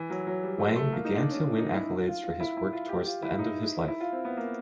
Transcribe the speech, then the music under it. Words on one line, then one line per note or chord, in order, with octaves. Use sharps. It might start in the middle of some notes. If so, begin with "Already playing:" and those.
Wang began to win accolades for his work towards the end of his life.
Already playing: E3
F#3
F#3
G3
A3
A3
A#3
D#4
D4
C#4
D#4
E4
F4
F4
E4
E4
F4
G4
F4
E4
D#4
E4
F4
C4
B3
A#3